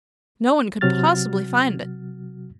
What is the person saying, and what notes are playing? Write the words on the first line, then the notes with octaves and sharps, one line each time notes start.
No one could possibly find it.
C3 F#3 F#4 F6 A6